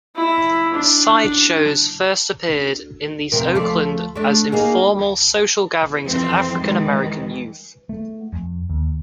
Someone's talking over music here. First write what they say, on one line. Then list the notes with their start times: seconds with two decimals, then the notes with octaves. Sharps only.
Sideshows first appeared in Oakland as informal social gatherings of African-American youth.
0.16 E4 E5
0.74 D4
3.32 F2 C3 A#4
3.55 F3 A3 D5
4.15 A3 D4
4.52 A#3 D#4 G#4
6.05 F2 E3 F3 C4 C5
6.59 D#3 E3 G#3
7.89 A3
8.33 F2
8.70 D#2